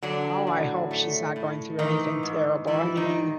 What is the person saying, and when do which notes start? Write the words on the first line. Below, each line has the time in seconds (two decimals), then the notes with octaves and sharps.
Oh, I hope she's not going through anything terrible, I mean,
0.03 D3 F#3 D4
0.47 A2
0.91 A3
1.36 A2
1.79 D#3 E3 D#4
2.23 G#2
2.67 E3 G3 E4
2.97 D#3 D#4
3.11 G#2